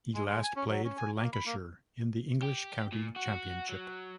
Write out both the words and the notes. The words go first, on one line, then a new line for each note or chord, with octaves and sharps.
He last played for Lancashire in the English County Championship.
G#3
G#3
G#5
C#4
F#3
C#4
G#5
A#3
B5
A#3
G4
A#2
F#4
F#3